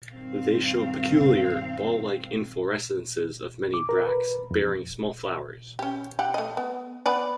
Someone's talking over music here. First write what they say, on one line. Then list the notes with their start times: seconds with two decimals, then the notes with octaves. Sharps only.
They show peculiar, ball-like inflorescences of many bracts, bearing small flowers.
0.11 G2 D#3 C4 F5
3.74 D6
3.89 A#4
4.07 B4
4.51 F2
5.79 C#4 G4
6.19 G4 F#5
6.34 A3 D#5
6.57 B3
7.06 B3 B4 D5